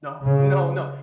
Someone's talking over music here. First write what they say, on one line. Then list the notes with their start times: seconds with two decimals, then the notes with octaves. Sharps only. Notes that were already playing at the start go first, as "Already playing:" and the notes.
No, no, no.
0.23 C#3